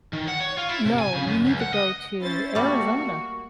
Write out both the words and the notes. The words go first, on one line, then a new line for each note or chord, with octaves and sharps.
no, you need to go to Arizona.
D#3
F#5
C#5
F4
E4
C3
G#5
C#3
F#2
C#2
F#5
D#5
C#4 E4 C5 A6
G3 A3 A#3 F#4 C#6